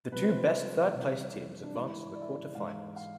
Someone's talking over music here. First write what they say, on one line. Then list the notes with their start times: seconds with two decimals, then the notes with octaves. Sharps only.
The two best third-placed teams advanced to the quarter-finals.
0.12 C2 C3 F3 B4
0.24 C5
0.37 B4
0.93 C2 C3 E3
1.64 D4
1.74 G#2 E3 E4
2.15 D5
2.22 E5
2.29 D5
2.55 G#2 E3 F5
2.96 F5